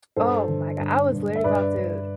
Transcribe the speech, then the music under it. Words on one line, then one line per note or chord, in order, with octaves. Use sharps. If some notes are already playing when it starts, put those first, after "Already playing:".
Oh my god, I was literally about to
G2 A4 C5
D3
G2
G2
E5
G2 B4 D5
G2